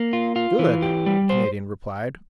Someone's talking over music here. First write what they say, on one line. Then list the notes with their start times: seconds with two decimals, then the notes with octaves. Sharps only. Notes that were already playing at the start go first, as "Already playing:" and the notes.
"Good!" the Canadian replied.
Already playing: A#3
0.13 F4
0.36 F4
0.59 E3
0.82 G4
1.06 G3
1.30 C5